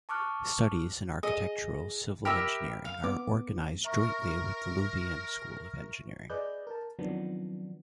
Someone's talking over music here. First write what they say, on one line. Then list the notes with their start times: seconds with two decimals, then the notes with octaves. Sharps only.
Studies in architectural civil engineering are organized jointly with the Louvain School of Engineering.
0.09 A5 C#6 D6 F6 F#6
1.23 G#4 D#5
2.25 G4 A#4 E5 B5 F6
2.85 F5
3.04 B3 D6
3.84 A#4 E5 A#5 C#6
6.30 G#4 B4 D5 D#5 F#6 G6
6.67 A#4 A5
6.99 D#3 F3 F#3 B3 C4 D4